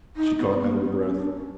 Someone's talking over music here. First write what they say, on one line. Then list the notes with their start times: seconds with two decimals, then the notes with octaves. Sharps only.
She caught at her breath.
0.16 D#4
0.39 B3
0.61 A#3
0.83 B3
0.99 C#4
1.17 D4
1.34 C#4